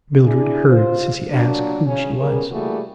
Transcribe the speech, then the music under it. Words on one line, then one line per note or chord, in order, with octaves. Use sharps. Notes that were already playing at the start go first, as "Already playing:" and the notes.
Mildred heard Cissy ask who she was.
D4 E4 G#4
F4 C5
A#2 F#3 A#3 D4
C#3 C#4
G3 B3 C#4 G#4 A#4
E3 G3 A3 A#3 F#4 G#4